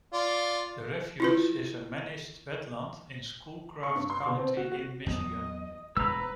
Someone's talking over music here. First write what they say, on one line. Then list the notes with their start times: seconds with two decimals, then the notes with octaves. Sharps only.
The refuge is a managed wetland in Schoolcraft County in Michigan.
0.13 F4 D5
1.20 E4 F4 B4
3.83 C#6
3.95 G2
4.10 C6
4.26 B2
4.37 C4
4.57 F#4
4.72 F#4
5.06 E2 F#3 B3 D#5
5.97 E1 G2 G#3 B4 A#5 E6